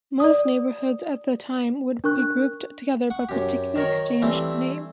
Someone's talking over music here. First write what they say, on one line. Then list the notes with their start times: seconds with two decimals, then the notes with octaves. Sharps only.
Most neighborhoods at the time would be grouped together by a particular exchange name.
0.20 D5 D#6
2.04 D4 A#4 C#6 F#6
3.10 F#5 C#6
3.29 F#2 G4
3.76 D#3 A#4 C#5
4.22 E3 G3 A3 C4 E4